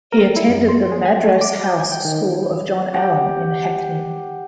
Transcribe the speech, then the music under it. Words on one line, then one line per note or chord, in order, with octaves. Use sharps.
He attended the Madras House school of John Allen in Hackney.
A#4
E4
F#2
C6
G#4
G#5
A3
D6
G6
G#5
G5
D#3
G4 F#5